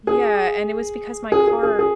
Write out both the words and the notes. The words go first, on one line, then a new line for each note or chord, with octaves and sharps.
Yeah, and it was because my car
G#4
G#4
G#4
G#4
G#4